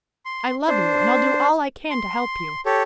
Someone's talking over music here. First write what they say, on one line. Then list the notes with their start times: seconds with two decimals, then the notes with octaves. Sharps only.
I love you, and I'll do all I can to help you.
0.25 C6
0.68 D4 C5
1.90 C6
2.66 G4 A4 C#5